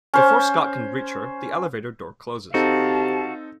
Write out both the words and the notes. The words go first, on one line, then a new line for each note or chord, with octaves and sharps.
Before Scott can reach her, the elevator door closes.
C#4 C5
C3 C4 D#4 F#4 A4 F5 A5